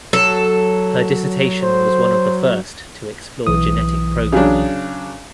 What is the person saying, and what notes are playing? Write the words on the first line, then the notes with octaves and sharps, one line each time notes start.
Her dissertation was one of the first to explore genetic programming.
F#3 A4
C5
B1 E3 D#6
C#3 F#3 D4